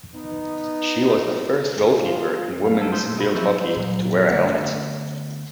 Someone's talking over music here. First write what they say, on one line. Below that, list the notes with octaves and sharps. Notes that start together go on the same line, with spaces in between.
She was the first goalkeeper in women's field hockey to wear a helmet.
B3 D#4
F4
F#2 F5
B3 A4
A3 D#4 F4 G4 C5
A#2
B2 D#5 B5
F3 F#3 C4 D#4 E4
A#2 F#3
D3 F3 A3 B3